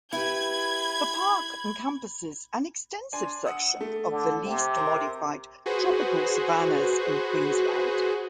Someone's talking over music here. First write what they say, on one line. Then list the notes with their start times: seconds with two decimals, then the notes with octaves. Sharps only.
The park encompasses an extensive section of the least modified tropical savannas in Queensland.
0.13 E4 G4 B4 B5 G#6
3.12 D4 G#5 C6
3.45 F#5 D#6 E6
3.81 A3
4.10 D3
4.44 C3
4.77 A#4 C5
5.66 F#4 G#4 B4 C5